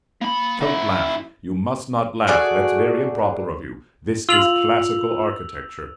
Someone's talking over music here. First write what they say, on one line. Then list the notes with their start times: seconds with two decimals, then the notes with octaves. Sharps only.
Don't laugh; you must not laugh, that's very improper of you, this is classical architecture.
0.22 A#3 B5
0.61 F#2 E4
2.27 A3 F#4 G#4 D5
4.29 F4 E6 F7 F#7